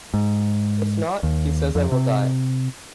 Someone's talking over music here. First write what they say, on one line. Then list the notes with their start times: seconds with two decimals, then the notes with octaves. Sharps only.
If not, he says I will die.
0.14 G#2
1.23 D#2
1.75 F2
1.92 C3